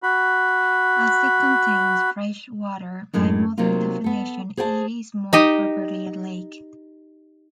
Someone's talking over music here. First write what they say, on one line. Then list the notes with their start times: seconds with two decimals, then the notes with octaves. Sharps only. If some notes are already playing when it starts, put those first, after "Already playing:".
As it contains fresh water, by modern definitions it is more properly a lake.
0.03 F#4 B5
3.14 F#2 A2 G#3 D4
3.58 C3 F#3 A#3 D#4 F4
4.04 B3 A4
4.57 G#4 C5 D5 G5 A5
5.33 D#4 G4 D#5